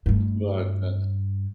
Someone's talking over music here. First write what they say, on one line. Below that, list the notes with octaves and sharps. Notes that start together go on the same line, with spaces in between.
but, uh
G2 A3